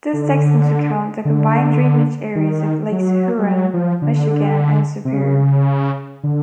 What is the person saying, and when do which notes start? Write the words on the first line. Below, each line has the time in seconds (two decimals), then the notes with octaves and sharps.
This takes into account the combined drainage areas of Lakes Huron, Michigan, and Superior.
0.13 D3
1.25 D3
2.35 D#3
2.91 F#3
3.39 G3
3.46 F#3
3.74 F3
4.02 D3
5.05 C3
5.13 C#3
6.23 D3